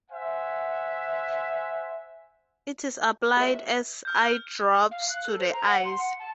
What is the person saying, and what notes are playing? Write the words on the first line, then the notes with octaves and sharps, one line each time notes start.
It is applied as eye drops to the eyes.
C5 E5 F#5 G#5
B4 E5
F6 G6
F5
F#6
A4
C5
A#5
F#5
C6
F#5
A5